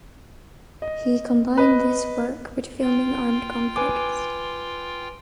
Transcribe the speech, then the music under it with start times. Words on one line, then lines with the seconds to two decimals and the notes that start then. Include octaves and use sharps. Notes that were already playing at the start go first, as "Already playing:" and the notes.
He combined this work with filming armed conflicts.
0.82 D#5
1.58 B4 D#5
2.81 F4 G5
3.76 B4 G#5 D6